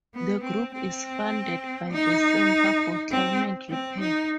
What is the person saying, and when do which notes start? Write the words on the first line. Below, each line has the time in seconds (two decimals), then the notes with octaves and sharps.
The group is funded by the Centre for Climate Repair.
0.14 B3
0.43 C4
0.74 C4
1.92 D#4
3.11 C4
3.69 C4
4.00 D#4